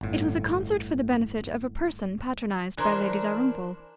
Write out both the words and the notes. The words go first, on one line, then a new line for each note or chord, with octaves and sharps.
It was a concert for the benefit of a person patronised by Lady Dalrymple.
G1 A2
E3 D4 A#4 C5